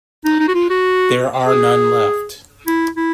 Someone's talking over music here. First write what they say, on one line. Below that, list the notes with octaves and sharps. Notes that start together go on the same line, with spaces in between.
There are none left.
D#4
D#4
F#4
F4
F#4
G#4
E4
E4